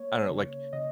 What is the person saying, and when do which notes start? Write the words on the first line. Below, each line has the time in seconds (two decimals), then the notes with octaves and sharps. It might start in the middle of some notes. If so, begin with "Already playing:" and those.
I don't know, like,
Already playing: A#3 C#5
0.30 C#3
0.73 C#3 D#5